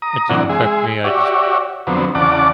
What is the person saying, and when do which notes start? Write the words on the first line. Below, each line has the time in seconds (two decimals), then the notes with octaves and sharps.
it didn't affect me, I just,
0.02 A#5 D#6
0.29 F#2 C3 E3 D4 F#5
0.49 G#3 G#4 E5
1.04 F#4 G4 C#5 D5 E5
1.87 F2 D3 F#3 B3 C4
2.15 E2 C#3 D5 F#5 A5 D6